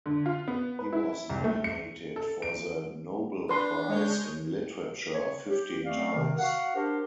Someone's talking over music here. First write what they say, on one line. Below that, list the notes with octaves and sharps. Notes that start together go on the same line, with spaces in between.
He was nominated for the Nobel prize in literature fifteen times.
D3
F4
B3
B4
E4
C2
A3
C#7
A4
D7
D4 B4 C6
G#3 C#5 G6
C#5
G4
A3 C4 D5 F5
C3 D#3
F#4 F5 F#5
D4 G4 A#4 C5